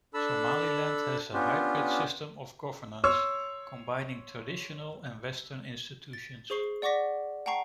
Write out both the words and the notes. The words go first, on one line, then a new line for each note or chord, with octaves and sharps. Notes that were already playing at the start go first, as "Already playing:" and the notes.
Somaliland has a hybrid system of governance combining traditional and western institutions.
D4 A4 A5 B5 E6
B3 C#4 D4 F4 G4
C#5 C6 C#6 E6
A6
G#4 C5 C#6 C7 G7
D5 F#5 C#6 D6 A#6 B6
F#5 G5 A5 A#5 C#6 C7